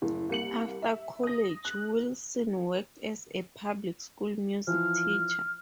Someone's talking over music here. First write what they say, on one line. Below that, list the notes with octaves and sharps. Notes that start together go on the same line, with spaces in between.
After college, Willson worked as a public-school music teacher.
F#1 A2
C2 A#3 C#7 F#7
E5
D#6 A#6
F#6
E3 F3 F6